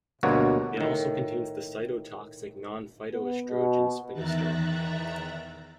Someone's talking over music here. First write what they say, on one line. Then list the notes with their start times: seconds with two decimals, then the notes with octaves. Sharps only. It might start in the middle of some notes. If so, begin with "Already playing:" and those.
It also contains the cytotoxic non-phytoestrogen spinasterol.
0.23 D2 G2 B2 A#3 F#4 C#5
0.77 A2 D#3
3.13 B3
3.48 B2
4.13 E2 D#3 E5 A#5 F#6 A6